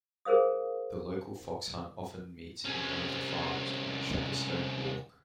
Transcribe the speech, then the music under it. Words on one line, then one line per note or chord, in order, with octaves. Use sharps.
The local fox hunt often meets in one of the farms on Shackerstone Walk.
G#4 A#4 C5 F5 D#6
C2 C#4